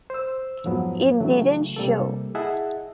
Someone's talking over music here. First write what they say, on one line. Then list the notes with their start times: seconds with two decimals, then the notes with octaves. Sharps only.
It didn't show.
0.10 C5 E6
0.64 F2 G#2 F3 F#3 B3
1.20 C#3 E3 F#3 A3
1.76 C3 G3 A#3 A4
2.35 E4 G#4 D#5 E5 F#5 A5